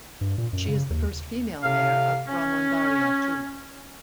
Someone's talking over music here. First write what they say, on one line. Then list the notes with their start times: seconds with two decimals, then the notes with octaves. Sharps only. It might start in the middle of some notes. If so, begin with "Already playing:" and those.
She is the first female mayor of Brahmanbaria too.
0.21 G2
0.38 A#2
0.53 F#2
0.68 C#3
0.90 D#2
1.63 A2 C3 F5
2.28 C#4